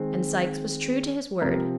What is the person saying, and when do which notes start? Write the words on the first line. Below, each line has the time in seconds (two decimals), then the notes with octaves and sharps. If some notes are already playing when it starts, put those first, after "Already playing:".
And Sikes was true to his word.
Already playing: D#3 G#3 C4
1.41 C3 F3 C4 A#4